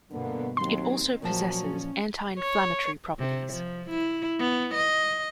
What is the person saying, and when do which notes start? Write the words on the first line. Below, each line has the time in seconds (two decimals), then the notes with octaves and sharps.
It also possesses anti-inflammatory properties.
0.11 G2 B2 D3 A#3 B3
0.57 D#2 D#3 F#3 C4 F#4 C6
1.22 A#2 F3 F#3 C#4 A5
2.39 C#5
3.19 C3
3.53 F3
3.90 E4
4.39 B3
4.74 D#5